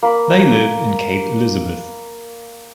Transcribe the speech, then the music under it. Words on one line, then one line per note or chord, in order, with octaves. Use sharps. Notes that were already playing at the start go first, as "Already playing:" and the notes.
They live in Cape Elizabeth.
A#3 B5